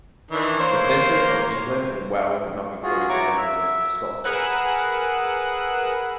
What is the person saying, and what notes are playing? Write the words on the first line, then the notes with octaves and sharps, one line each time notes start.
The census of England and Wales does not include the census of Scotland.
D#3 E3 D4
A#3 C5 C#5
F4 F#4 G#4
E4 F#4 C#5 A#5 C#6 D6
E5
G#4 A#4 B4 F#5 E6 F#6